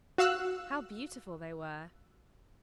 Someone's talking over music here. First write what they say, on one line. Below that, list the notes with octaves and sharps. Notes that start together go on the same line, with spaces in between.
How beautiful they were!
F#4 F5 E6 F#6